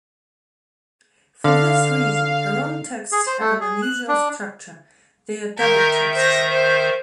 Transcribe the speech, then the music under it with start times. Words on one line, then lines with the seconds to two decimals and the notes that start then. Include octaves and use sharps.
For this reason, her own texts have an unusual structure: they are double texts.
1.44 D3 F5
3.12 G#4
3.27 C5
3.40 A3
3.61 G#4
3.82 F#6
4.08 D4
5.58 D#3 A#4 E5 G6
6.15 C5 A#6
6.49 C5